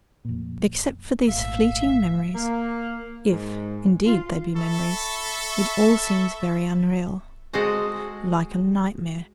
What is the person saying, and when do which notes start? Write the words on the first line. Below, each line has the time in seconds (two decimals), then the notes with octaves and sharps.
But, except for these fleeting memories, if, indeed, they be memories, it all seems very unreal, like a nightmare.
0.25 F1 A#2
1.28 G#1 A#2 A3 E5 F5
2.32 A#3
3.30 G#2
4.06 F4
4.57 A4 E5 B5 C#6
7.53 G#3 F#4 A4 C5 D#5